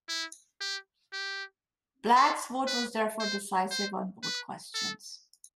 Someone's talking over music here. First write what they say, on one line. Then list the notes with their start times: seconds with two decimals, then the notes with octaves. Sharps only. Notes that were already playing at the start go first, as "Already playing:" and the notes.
Black's vote was therefore decisive on both questions.
0.09 E4
0.61 G4
1.13 G4
2.16 A4
2.67 B4
3.20 C5
3.71 C5
4.23 B4
4.75 A4